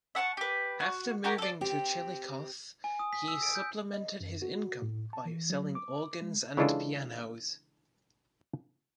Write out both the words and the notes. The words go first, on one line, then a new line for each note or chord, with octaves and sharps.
After moving to Chillicothe, he supplemented his income by selling organs and pianos.
E5 F#5 A5 C#6
G4 B4
F#4
F#4 G4 A#4
A4 D5
C4 G4
G#5
D#6
B6
E6
D7
G6
D#5
F#2
F#4
A2
A5
E3
F#3
D6
G#3
C#3 E3 G#3 D4 F4 A4